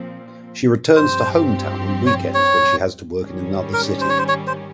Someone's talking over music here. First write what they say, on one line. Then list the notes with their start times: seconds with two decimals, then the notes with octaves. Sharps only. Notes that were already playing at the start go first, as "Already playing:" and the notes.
She returns to hometown on weekends when she has to work in another city.
Already playing: A#2 F3 C4
0.95 G2 F3 C4 G4 C5
2.06 C#5
2.34 C#5
3.17 G#2 D#3 G3 C#4
3.73 A#4
4.01 C5
4.09 C#5
4.18 C5
4.28 C#5
4.47 C5